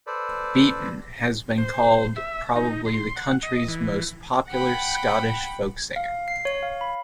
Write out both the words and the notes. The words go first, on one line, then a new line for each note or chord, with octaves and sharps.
Beaton has been called probably the country's most popular Scottish folk singer.
A4 B4 C5 D5
C5
E5
D#4
C6
F#5
D#5
E3
F#5 G5 B5
F5
C7
C#5
F5
B5